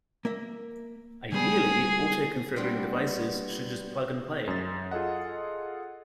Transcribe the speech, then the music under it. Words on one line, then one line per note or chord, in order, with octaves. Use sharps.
Ideally, auto-configuring devices should just "plug and play".
A#3 A#4 E5
D3 G3 B3 G#4
G3 B3 C4 D4
F#2 A6
F4 G#4 A4 D#5 F#5